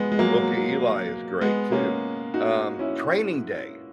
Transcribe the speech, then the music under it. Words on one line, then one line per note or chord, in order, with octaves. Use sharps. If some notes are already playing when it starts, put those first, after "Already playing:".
Book of Eli is great, too. Um, Training Day!
Already playing: G#3 B3
G#3
F#3 A#3
G#3 B3
A#3 C#4
D#4 F#4
C#4 E4